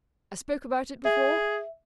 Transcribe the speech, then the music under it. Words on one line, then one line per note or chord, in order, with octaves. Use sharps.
I spoke about it before.
G#4 E5